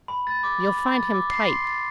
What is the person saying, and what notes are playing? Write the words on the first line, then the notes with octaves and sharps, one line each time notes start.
You'll find him tight.
B5
A6
D6
B5
B5
A6
D6
C7
C6
A6